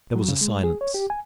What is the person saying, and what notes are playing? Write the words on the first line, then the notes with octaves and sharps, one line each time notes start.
There was a silence.
F#3
C#3
G#3
G#4
C#5
G4
G#5